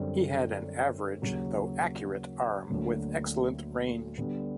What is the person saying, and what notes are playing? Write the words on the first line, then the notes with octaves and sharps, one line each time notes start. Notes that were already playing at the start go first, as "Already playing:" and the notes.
He had an average, though accurate, arm with excellent range.
Already playing: F#2 D3 G3 C4
D#2 C#3 F#3
D2 D3 F#3 A#3
D3 G3 B3